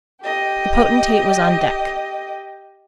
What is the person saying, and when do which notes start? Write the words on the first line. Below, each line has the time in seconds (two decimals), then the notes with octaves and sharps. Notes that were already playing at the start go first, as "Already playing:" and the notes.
The potentate was on deck.
0.21 G4 D#5